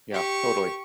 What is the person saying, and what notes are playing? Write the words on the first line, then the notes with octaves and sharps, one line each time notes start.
Yeah, totally.
G4 C#6